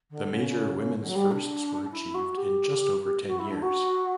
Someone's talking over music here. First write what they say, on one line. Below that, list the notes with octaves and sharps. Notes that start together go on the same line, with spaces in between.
The major women's firsts were achieved in just over ten years.
D3
C#3
D3
F#3
G3
D4
E4
F#4
G4
F#4
E4
D4
F#4